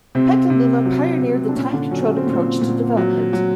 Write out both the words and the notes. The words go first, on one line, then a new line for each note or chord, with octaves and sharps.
Petaluma pioneered the time-controlled approach to development.
C3 C4
C3
F#3
C3
D4
A#2 C#4
D3 D4
F#3 C#4
C#4
C4
A#2
C4
A#2
F#3
F#3